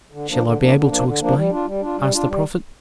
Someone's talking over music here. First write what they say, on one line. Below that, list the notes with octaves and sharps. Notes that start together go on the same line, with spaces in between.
"Shall I be able to explain?" asked the prophet.
D3
F3 A#3 D4
D3
F3 A#3 D4
D3
F3 A#3 D4
D3
F3 A#3 D4
G3
D4 F4
G3
D4 F4
G3
D4 F4
G3